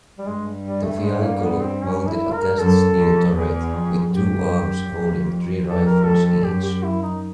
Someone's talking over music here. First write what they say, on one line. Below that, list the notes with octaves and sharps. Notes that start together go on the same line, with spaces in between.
The vehicle mounted a cast steel turret with two arms holding three rifles each.
G3
G2 G#3
G3
A3
G#3
A#3
A#3
B3
C4
C#4
E4
A#4
F#2 A4
F2
E2 G#4
F2
F#2 G4
F2
F2 A4
A#4
A4
A4
F#2 G4
G4
E4
D#4